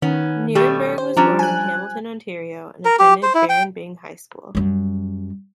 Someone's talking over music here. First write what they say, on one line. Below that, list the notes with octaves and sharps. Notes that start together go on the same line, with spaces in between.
Nirenberg was born in Hamilton, Ontario, and attended Baron Byng High School.
D#3 B3 C#4
B2 G3 A3 G4
C5
F3 G3 C#4 D4 A#5
G#5 F#6
A#4
G4
C5
E4
G5
F#2 G3